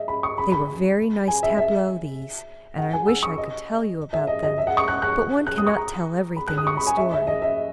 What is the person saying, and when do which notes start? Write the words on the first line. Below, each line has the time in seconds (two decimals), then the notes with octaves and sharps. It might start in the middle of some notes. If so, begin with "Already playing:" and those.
They were very nice tableaux, these, and I wish I could tell you about them; but one cannot tell everything in a story.
Already playing: D#5 E5
0.08 B5
0.23 C#6
0.38 B5
0.52 B5
1.28 G#5
1.43 E5
1.58 E5
2.78 F#5
2.93 G#5
3.07 E6
3.23 C#6
3.37 D#5
4.13 E5
4.27 D#5
4.43 D#5
4.58 E5
4.67 F#5
4.77 C#6
4.88 F#6
5.02 F#6
5.47 F#6
5.58 D#6
5.67 C#6
5.77 A#5
6.37 B5
6.48 F#6
6.58 D#6
6.67 C#6
6.77 B5
6.87 G#5
6.97 E5
7.13 E5
7.27 D#5
7.42 E5